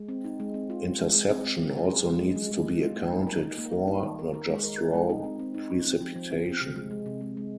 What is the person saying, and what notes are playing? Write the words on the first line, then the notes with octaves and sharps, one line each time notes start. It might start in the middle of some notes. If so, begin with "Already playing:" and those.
Interception also needs to be accounted for, not just raw precipitation.
Already playing: G#3
C4
D#4
G#3
C4
F4
F4
G#3
G#3
C4
C4
G#3
G#4
G#4
G#3
G#3
G#3
G#3
G#3
F4
A#3
D#4
A#4
D#4
A#3
A#4
D#4
D#3
A#4
A#4
G#3
A#4
A#4
G#3
D#4
C4
C4
D#4
C4
C4
F3
F3
C4
F3
C3
G#3
G#3
C3
G#3
G#3